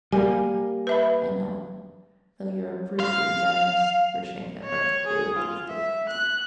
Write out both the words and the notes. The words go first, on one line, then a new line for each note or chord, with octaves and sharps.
"I know, though you're a brute, you're generous," Grushenka articulated with difficulty.
G3 G#3 A#3 G#5
B4 E5 B5
F5
C#5
G#4
F4
E5
F#6